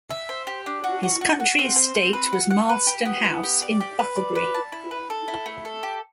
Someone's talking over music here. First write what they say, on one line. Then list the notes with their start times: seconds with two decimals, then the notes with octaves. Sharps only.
His country estate was Marlston House in Bucklebury.
0.10 E5
0.29 C5
0.47 G4
0.66 D4
0.84 F#4
1.03 F#4
1.21 F#4
1.40 F#4
1.59 C4
1.76 C5
1.95 C4
2.13 B4
2.33 F#5
2.51 F#5
2.69 B4
2.87 G4
3.05 B3
3.24 B3
3.43 G4
3.62 D5
3.80 G4
3.99 B4
4.16 D5
4.35 B4
4.54 A5
4.72 E4
4.91 B4
5.10 A4
5.28 E4
5.46 A3
5.65 A4
5.83 G4